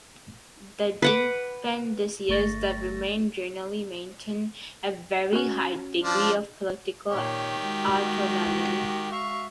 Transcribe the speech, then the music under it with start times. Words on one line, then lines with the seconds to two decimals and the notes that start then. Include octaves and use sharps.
The dependencies that remain generally maintain a very high degree of political autonomy.
1.02 B4 F#5 D6
2.29 G1 A3 C#6 A6 A#6
5.33 C#4 F#4
6.02 F3 D4
7.11 A#2 D#3 G4 C#5
7.62 G#3 F#4
9.12 E5 F5 C#6